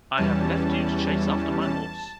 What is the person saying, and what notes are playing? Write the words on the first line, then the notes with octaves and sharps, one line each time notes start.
I have left you to chase after my horse.
E2 E3 G3 C#4 A5
A5